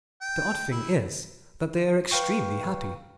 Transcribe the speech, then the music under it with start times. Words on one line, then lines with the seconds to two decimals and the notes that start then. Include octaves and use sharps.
The odd thing is that they are extremely happy.
0.21 G5
0.71 E4
2.11 B4 F5 G5 C#6